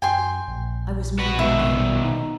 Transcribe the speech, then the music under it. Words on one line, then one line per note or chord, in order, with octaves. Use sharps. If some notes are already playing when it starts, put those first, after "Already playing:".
I was married then.
F#2 G5 G#5 C6
A#1
F#4 B4
B2 D#3 G#3 B4 E5
G3
D#4